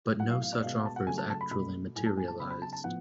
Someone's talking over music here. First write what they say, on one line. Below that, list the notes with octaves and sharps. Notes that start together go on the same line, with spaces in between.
But no such offers actually materialized.
A2 F#3 B3 F#5
F5
F5
D5
B2 G#3 B3 F5
F5
A5
F#5
C#3 F#3 A3 G#5
A5
A5
B5
B2 A3 B5
A2 F#3 A3 G#5
A5
G#5
A5
C#3 F#3 B3 B5
B5
A5
A5
A2 F3 B3 F#5